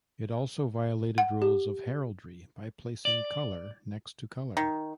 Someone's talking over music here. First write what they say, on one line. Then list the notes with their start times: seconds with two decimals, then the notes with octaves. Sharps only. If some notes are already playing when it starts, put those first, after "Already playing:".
It also violated rules of heraldry by placing colour next to colour.
1.18 F#5
1.42 G4
3.05 D5
4.57 D#3